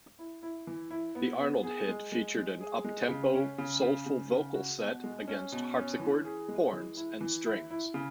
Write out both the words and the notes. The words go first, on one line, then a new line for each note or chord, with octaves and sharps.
The Arnold hit featured an up-tempo, soulful vocal set against harpsichord, horns, and strings.
E4
E4
E3
E4
B3
B3
G#4
G#3
G#3
G#3
G#4
G#3
C#3
C#4
C#3
C#3
C#3
C#3
F#4
B2
G#3
C#4
B2
C#4
E3
G#4
G#3
E3
E4
E3
E4
E4
C#3